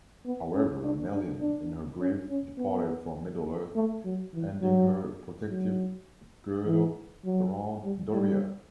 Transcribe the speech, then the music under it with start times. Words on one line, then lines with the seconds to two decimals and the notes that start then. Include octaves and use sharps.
However, Melian, in her grief, departed from Middle-earth, ending her protective girdle around Doriath.
0.26 B3
0.55 C#4
0.84 D4
1.12 D4
1.41 D4
2.00 C#4
2.29 C#4
2.58 B3
3.76 A3
4.05 F#3
4.34 E3
4.62 F#3
5.50 F#3
6.66 E3
7.25 F#3
7.84 G3
8.13 G3